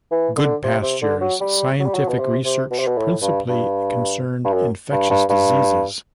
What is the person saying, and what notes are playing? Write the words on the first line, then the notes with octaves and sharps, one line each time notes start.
Goodpasture's scientific research principally concerned infectious diseases.
E3
D3
C3
C3
D3
F#3
G3
F#3
G3
F#3
B2
C3
C3
B2
C3
B2
A2
G2
G2
G2
F#2
G2
G2
G2